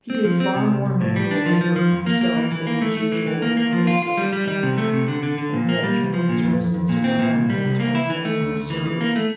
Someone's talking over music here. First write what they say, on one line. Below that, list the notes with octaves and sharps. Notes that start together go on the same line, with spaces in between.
He did far more manual labor himself than is usual with artists of his standing, and yet, during his residence in Rome he had twenty men in his service.
C4
F3
C4
C3
C2
C2
A2
G3
D4
F3
F3
F3
F2
A#3
A#3
E3
E3
A#3
A3
A3
E3
E3
A#3
A#3
F3
F4
F4
G3
G3
G3
C3
A3
C3
D3
D3
D3
A#2
A#3
G3
C2
F3
A#2
F2
F2
F2
A#2
C4
A#2
C2
G3
C2
A#3
E4
E3
A3
D2
D2
E3
E3
A#3
A3